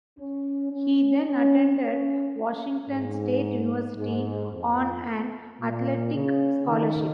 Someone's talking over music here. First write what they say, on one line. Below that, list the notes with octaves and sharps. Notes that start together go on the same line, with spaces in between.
He then attended Washington State University on an athletic scholarship.
C#4
C#4
C#4
C#4
G#2
G#2
F2
A#2
C#3
D#3